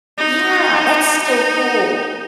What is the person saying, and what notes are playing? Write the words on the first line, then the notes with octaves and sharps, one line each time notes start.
Yeah, that's so cool.
D#4
D#4